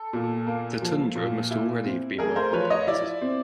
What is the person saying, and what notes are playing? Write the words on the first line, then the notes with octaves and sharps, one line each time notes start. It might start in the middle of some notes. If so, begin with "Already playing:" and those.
The tundra must already have been well populated.
Already playing: A4
A#2
A#3
F3
A#2
E4
C4
A3 G#4 A#4
A#4 C5
F3 B4 C#5
C#5 D#5
E4 D5 E5
C4